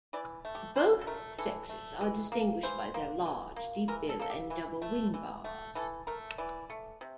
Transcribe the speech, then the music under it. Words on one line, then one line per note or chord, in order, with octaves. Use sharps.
Both sexes are distinguished by their large, deep bill and double wing bars.
E3 D5
A3
G4
E3 C5
A4
A3 A#4
E3 A4
A3
E3
A#3
E3 C5
A#3
E3
A#3
E3 A#4
A4
A#3 A4
G4
E3
A3
E3
A3
E3 A4
A3 A#4
E3 D5
A3
C3